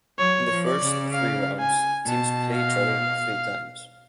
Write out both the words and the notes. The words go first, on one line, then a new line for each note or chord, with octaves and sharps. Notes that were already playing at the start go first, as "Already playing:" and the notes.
In the first three rounds teams play each other three times.
F#3 C#5
F3
D5
C#3
F5
G#5
B2 A5
F5